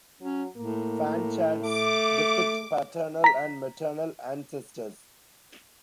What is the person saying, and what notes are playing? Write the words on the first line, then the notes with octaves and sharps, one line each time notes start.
Fan charts depict paternal and maternal ancestors.
F#3 C#4
A2 A#3
A3 D6
A#5 B6